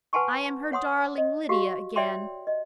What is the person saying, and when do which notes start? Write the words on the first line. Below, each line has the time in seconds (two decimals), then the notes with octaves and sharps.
I am her darling Lydia again!
0.13 B4 F#5 G#5 A5 C6 C#6
0.72 C#5 F#5 C6 D#6
1.18 D#5
1.49 F#4 G4 F5
1.96 C#5 D5 E5 G5 C6
2.47 D#5